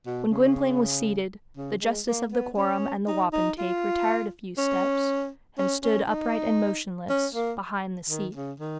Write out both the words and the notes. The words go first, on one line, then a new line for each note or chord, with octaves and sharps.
When Gwynplaine was seated, the justice of the quorum and the wapentake retired a few steps, and stood upright and motionless, behind the seat.
B2
C#3
C#3
G#3
A#3
B3
C#4
D#4
D#4
F4
C#4
C#4
C#4
D#4
C#4
A#3
D#3
C#3
D#3